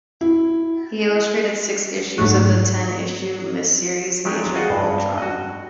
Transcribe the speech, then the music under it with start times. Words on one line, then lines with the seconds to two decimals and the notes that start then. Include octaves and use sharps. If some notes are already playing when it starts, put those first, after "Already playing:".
He illustrated six issues of the ten-issue miniseries "Age of Ultron".
0.21 E4
2.18 G#2 F#3 A3 F#4
4.25 F#3 G#3 G4 D5 E5
4.55 F4 F#4 G#4 D#5 F#5 G5
4.70 G2
5.18 F#4 D#5